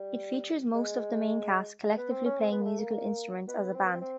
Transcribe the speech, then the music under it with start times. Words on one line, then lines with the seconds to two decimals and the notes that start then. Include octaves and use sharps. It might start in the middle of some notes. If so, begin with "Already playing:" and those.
It features most of the main cast collectively playing musical instruments as a band.
Already playing: G3
0.75 G#3
1.84 G#3
1.97 B3
2.11 C4
2.25 C#4
2.39 C4
2.51 B3
2.61 A#3
2.65 A3
2.79 A#3
3.48 B3
3.74 C4
3.84 B3
3.91 C4
4.01 C4